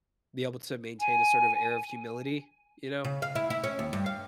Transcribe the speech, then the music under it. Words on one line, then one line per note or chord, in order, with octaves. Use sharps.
be able to maintain a sort of air of humility, you know,
G#5
C#3
F5
E4
E4
C#4
D#2
G2
F5